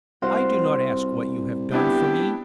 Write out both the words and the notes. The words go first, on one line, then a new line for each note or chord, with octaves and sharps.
I do not ask what you have done for me.
C2 F#4 C5 F5
B3 D4 E4 G4